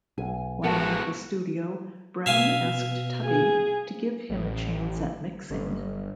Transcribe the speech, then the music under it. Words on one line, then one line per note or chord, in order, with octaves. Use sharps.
While at the studio, Brown asked Tubby to give him a chance at mixing.
B1 G#5
A1 G#3 B3 F#4 A#4 F#5 A5
B2 E5 F5 G#5
G#4
A1
G1